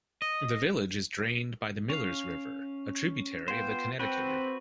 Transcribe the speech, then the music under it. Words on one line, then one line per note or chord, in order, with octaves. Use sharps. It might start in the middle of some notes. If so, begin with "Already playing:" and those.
The village is drained by the Millers River, a tributary of the Connecticut River.
D#5
C#4 F5
B3 F4 C5 G5
C4 F#4 B4 G5